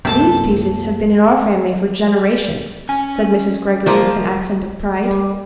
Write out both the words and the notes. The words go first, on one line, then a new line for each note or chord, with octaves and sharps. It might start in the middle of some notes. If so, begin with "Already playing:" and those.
"These pieces have been in our family for generations," said Mrs. Greggory with an accent of pride.
C2 F#2 C3 A#3 A4 A5
C#4 G#5
F3 A#3 F4
G3